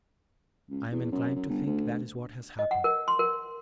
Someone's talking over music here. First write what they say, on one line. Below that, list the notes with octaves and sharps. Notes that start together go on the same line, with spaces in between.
I am inclined to think that is what has happened.
C#2
E2
F#2
F#2
G1
D2
D#5
F#5
A#4
C6
A#4